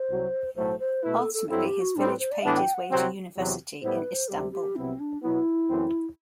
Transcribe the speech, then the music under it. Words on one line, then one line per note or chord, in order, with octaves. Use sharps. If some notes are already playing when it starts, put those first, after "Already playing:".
Ultimately, his village paid his way to university in Istanbul.
Already playing: C5
C2 C3 F#3
B1 A2 F#3 A3 C5
C5
B2 A3 E4 B4
A4
A4
G2 F#3 C4 E4 A4
G4
F#4
A2 G3 C4 D4
B4
C5
D5
A2 E3 B3 D4 F#5
G5
F#5
C2 C3 F#3 C4
E2 C3 F#3
A2 G3 B3 E4 C5
B4
C5
D2 C3 G3 G4
G4
C2 C3 F#3 B3 C4 E4
D4
B2 F#3 B3 E4
F#2 E3 A3 C4